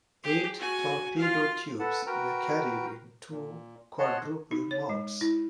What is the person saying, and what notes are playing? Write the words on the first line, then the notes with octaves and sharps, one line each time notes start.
Eight torpedo tubes were carried in two quadruple mounts.
G4 G#4
F#4 G#5
F4 F5
A4 B4 F#5 A5
F#4 A#4 B4 G5 A#5
A#2
C#5 D#5 F#5 A5 C6
D#4
C#5
G#3
E4